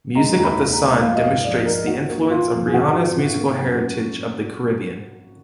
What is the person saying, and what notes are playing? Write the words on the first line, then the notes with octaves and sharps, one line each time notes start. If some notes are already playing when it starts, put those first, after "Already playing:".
"Music of the Sun" demonstrates the influence of Rihanna's musical heritage of the Caribbean.
G#3 A#5
D#2 A#5
B5
D#2
A#5
G#3
F3 F5
D#5
G#2 F5
A#1 D5
G#2 A#4
F3 F#4
A#3
A#3 F4
F2
G#4
G#1 F#4
F3
G#1
A#3
F#2
A#3